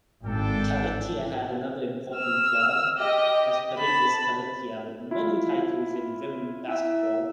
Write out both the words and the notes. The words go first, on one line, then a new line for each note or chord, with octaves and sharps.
Kallithea had another important club, Esperides Kallithea with many titles in women basketball.
G#1 D4 A4 G5
E6 F6
G4 D#5
A5 B5
E4 F4
E4 E5